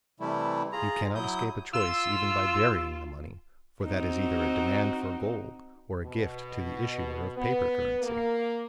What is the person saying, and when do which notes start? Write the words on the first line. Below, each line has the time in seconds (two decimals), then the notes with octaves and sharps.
You cannot escape a choice even by burying the money, for that is either a demand for gold or a gift to the issuer of paper currency.
0.20 C3 E3 G3 A3 E4
0.72 F4 G#4 A#5
1.15 F#3 E4 D#6 G6
1.73 F4 E6
3.84 C4 D#4 F#4
6.03 B2
7.37 B3
8.02 A#3